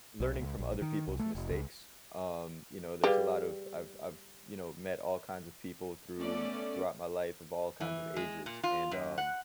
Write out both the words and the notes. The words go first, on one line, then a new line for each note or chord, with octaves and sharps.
learning from other people's mistakes. Um, you know there's a lot of I've I've you know met all kinds of people through throughout my life of all kinds of ages, and um,
B1
C#2
A#1
D#3
C2
A3
F1
C#2
G3 G#4 B4 F5
A3 B3 C#4 D5
E3
G#3
A#2
F4
F#2
F#5